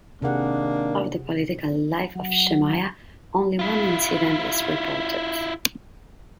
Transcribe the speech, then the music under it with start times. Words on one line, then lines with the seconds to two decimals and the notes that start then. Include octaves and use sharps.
Of the political life of Shemaiah only one incident is reported.
0.22 C3 D#3 A#3 D4 G#4 F#5
2.15 F#3 F#5
3.59 E4 F4